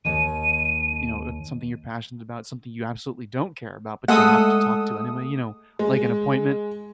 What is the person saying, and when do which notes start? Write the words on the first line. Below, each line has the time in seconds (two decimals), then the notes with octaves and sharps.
uh, you know, something you're passionate about, something you absolutely don't care about, but you have to talk to anyway, you know? Like an appointment
0.05 D#2 D#3 D#7
4.08 G#3 A3 A4 F#5 D#6
5.79 G#3